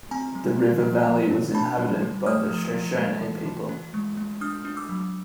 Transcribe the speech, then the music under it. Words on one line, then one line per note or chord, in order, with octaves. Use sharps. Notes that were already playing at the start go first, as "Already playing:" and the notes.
The river valley was inhabited by the Shoshone people.
C4 G#5 A#5
G3
G3
F3
F3
B3
D4 A5 B5
G3
G3
A3 D#6 F6
F3
F3
G#3
E3
E3
C#4
G#3
G#3
D4 D#6 F6
D4
D6 E6
F#3